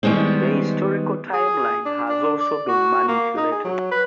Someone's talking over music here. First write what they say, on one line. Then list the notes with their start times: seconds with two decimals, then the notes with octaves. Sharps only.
The historical timeline has also been manipulated.
0.03 D#3 G3 G#3 B3 C4
1.33 G#4
1.86 D4
2.09 D4
2.40 D5
2.68 F#4
3.08 A#3
3.37 D#4
3.52 G#4
3.64 F#3
3.92 B4